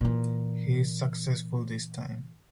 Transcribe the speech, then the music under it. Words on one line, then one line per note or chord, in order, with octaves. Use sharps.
He is successful this time.
A#2 E3